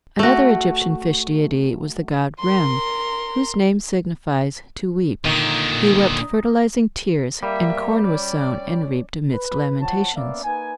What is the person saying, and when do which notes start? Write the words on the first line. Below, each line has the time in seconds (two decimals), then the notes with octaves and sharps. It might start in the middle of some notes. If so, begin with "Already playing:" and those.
Another Egyptian fish deity was the god Rem, whose name signifies "to weep"; he wept fertilizing tears, and corn was sown and reaped amidst lamentations.
0.19 A3 F#4
2.40 A#4 C6
5.25 A#2 D3 D#3
7.43 G3 A#3 E5
8.04 C#4 D5
9.31 B4
9.80 F3 C#5 F#5 A5
10.15 A#3 B3 C#4 D5 E5 F5
10.44 A#3 D#4 B4 G#5